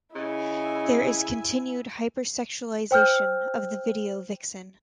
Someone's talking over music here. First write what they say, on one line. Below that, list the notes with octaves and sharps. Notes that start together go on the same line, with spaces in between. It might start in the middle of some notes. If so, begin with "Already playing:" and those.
There is continued hyper-sexualization of the video vixen.
C#3 E4 D#5 G#5
C5 G5 E6 F6 G6